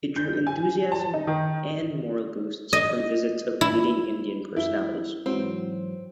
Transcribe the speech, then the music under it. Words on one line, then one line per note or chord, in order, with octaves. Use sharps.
It drew enthusiasm and morale boosts from visits of leading Indian personalities.
G6
G#5
A5
D#4
D#3
D#5
E4
E4
G#2 E3 F#3 C4